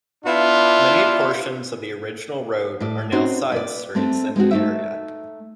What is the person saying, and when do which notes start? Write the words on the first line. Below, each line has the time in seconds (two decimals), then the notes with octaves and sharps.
Many portions of the original road are now side streets in the area.
0.25 B3 D4 E4 F4
2.80 A2 D5
3.12 C4 C#4 D#4 F#4 C5
3.52 B4 D5
3.95 A3 C4 D4
4.36 G#3 C4 D#4 F#4
4.51 A3 D#4 E5